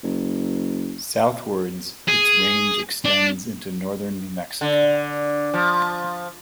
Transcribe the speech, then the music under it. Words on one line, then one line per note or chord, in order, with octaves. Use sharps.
Southwards, its range extends into northern New Mexico.
F#1
G#4
D4
D3
F3